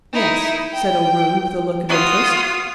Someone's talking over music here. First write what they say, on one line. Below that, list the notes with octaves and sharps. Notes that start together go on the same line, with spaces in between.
"Yes," said O'Roon, with a look of interest.
D#4 E4
G5
F4 F#4 D#6